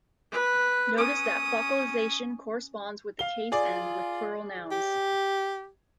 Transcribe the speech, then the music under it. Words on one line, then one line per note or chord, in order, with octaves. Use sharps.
Notice that faucalization corresponds with the case and with plural nouns.
B4
C#4 D#6
F5 G7
F4 G#4 D5
G4